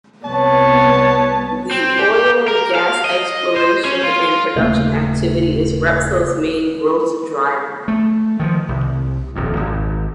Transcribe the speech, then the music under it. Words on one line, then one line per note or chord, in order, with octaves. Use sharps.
The oil and gas exploration and production activity is Repsol's main growth driver.
C2 B3 C#5 A5
C4
G4
A#4
F5
D#5
C5
C#4
F4
D#1 C#3 A3 A#3
A3
D#3 F3
C2
D#1 F2
G#1